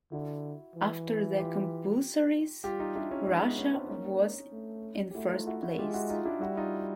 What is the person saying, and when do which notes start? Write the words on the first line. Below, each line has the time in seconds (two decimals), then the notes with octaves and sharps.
After the compulsories, Russia was in first place.
0.12 D3 E4 F#4
0.75 E3
1.38 F4 G4
2.64 G3 F4 G4
2.80 D#4 F4
2.96 D4 E4
3.11 C#4 D#4
3.27 G#3 C#4 D#4
3.42 B3 C#4
3.58 B3 C#4
3.74 C4 D4
3.89 A#3 C#4 D#4
4.52 A3
5.11 G4
5.15 A3 E4 F#4
5.31 D#4 F4
5.47 E4 F#4
5.62 E4 F#4
5.78 G#3 F4 G4
5.94 E4 F#4
6.10 D#4 F4
6.25 D4 E4
6.40 G3 E4 F#4
6.57 D#4 F4